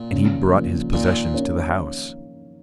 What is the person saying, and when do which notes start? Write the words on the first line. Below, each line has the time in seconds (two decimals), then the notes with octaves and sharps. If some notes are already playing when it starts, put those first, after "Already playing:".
And he brought his possessions to the house.
Already playing: A#2
0.12 C#3
0.52 F3 A#3
0.93 A#2 D#3
1.34 A#3 C#4